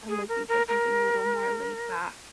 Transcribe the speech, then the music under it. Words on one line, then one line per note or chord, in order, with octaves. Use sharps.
I'm looking for something a little more laid back.
G#4
A#4
A#4
A#4